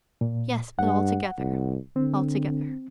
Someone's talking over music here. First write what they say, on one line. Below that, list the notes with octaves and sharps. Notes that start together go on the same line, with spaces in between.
"Yes, but altogether; altogether."
A#2
G2 F#5
C2
D3 C4